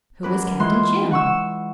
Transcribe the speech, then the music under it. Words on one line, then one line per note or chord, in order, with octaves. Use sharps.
"Who is Captain Jim?"
F#2 B4 D6
E3 G#3 F4 C6 F#6
F#5 C#6 E6